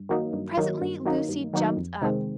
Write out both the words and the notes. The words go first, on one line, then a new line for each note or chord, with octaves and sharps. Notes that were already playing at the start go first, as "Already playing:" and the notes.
Presently Lucy jumped up.
Already playing: G2
D#3 F#3 A#3 D#4
G2
D#3 F#3 A#3 D#4
G2
D#3 F#3 A#3 D#4
G2
D#3 F#3 A#3 D#4
F2
C3 D#3 G#3 C4